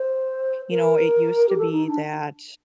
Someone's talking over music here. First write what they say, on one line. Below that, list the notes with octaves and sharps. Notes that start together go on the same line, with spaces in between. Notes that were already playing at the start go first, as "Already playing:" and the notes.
You know, it used to be that,
Already playing: C5
A#4
G4
A4
D#4
D4